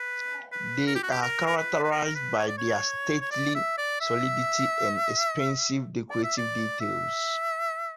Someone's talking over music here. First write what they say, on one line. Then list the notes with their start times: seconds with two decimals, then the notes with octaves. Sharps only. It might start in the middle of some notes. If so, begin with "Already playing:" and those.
They are characterized by their stately solidity and expensive decorative details.
Already playing: B4
0.52 B4
0.87 A#4
0.95 G4
1.03 F#4
1.11 G4
1.22 A#4
1.46 A#4
1.57 B4
1.83 B4
1.91 A#4
2.04 A#4
2.15 B4
2.38 C#5
2.48 D5
2.58 C#5
3.21 C#5
3.31 D5
3.55 E5
3.78 D5
4.01 E5
6.10 D5
6.24 E5
6.37 D5
6.80 E5